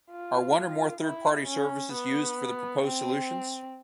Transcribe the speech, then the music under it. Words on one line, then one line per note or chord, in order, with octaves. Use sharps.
Are one or more third party services used for the proposed solutions?
F4
E4
C#4
B3
C4